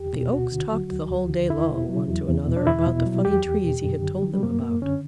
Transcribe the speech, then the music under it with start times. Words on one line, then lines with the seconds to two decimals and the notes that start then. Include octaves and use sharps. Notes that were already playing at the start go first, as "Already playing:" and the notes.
But the Oaks talked the whole day long one to another about the funny Trees he had told them about.
Already playing: E2 G4
0.13 B2
0.33 D2 F#4
0.52 D3
0.72 F#3
0.91 D2
1.11 D2
1.29 D3
1.50 E2 E4
1.69 B2
1.89 F#3
2.08 E2
2.28 E2
2.47 B2
2.57 D4
2.67 E2 E4
2.87 B2
3.06 F#3
3.25 E2 G4
3.45 E2
3.64 B2
3.84 F#2
4.03 D3
4.23 F#3
4.34 G3
4.43 F#2 A#3
4.62 F#2 A#3
4.82 D3 C#4